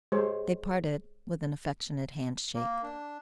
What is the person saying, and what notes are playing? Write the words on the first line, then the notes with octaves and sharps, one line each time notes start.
They parted with an affectionate handshake.
G#3 G4 C5 C#5
A#3
D4